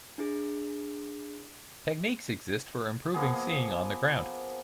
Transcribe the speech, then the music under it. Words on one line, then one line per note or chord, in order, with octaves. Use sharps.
Techniques exist for improving seeing on the ground.
D4 E4 G#4
F3 A#3 B3 G#4